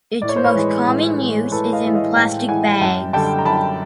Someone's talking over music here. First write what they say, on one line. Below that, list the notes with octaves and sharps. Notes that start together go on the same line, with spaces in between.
Its most common use is in plastic bags.
A2 D5
C#5
C5
B4 C#5
E3 G#3
A2
E3 G#3
A2 A4 B4
D#5 F5
E3 G#3 E5
D#5 F5
A2 F5 G5
E3 G#3 F#5 G#5
F#2 G5 A5
D3 G3 G5 A5
A#5
F#2 A5 B5